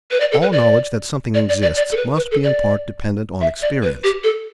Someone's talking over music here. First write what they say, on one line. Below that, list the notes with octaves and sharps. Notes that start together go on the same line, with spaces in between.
All knowledge that something exists must be in part dependent on experience.
B4
D5
A4
B4
D5
D5
D5
D5
D5
A4
B4
B4
A4
D5
E5
D5
B4
G4
A4